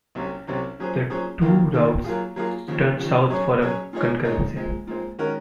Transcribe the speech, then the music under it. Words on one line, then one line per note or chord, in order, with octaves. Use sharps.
The two routes turn south for a concurrency.
C2 C3 F#3 C#4
C2 C3 F#3 C#4
A#2 F#3 C#4 G#4 C5
A#2 F#3 C#4 G#4 C5
D#2 D#3 A#3 F4
D#2 D#3 A#3 F4
F#3 A#3 F4 G#4
F#3 A#3 F4 G#4
D#2 C#3 F3
D#2 C#3 F3
F#3 C#4 G#4 C#5
F#3 C#4 G#4 C#5
A#2 G#3 D#4 G#4 C#5
A#2 G#3 D#4 G#4 C#5
A#2 G#3 C4
A#2 G#3 C4
D#3 G#3 C#4 F#4 A#4